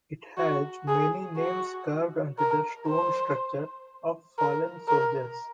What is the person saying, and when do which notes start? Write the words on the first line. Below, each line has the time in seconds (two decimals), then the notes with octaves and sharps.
It has many names carved onto the stone structure, of fallen soldiers.
0.37 F#4
0.88 G#4
1.38 F#4
2.38 A#4
2.88 C5
4.38 A#4
4.88 A#4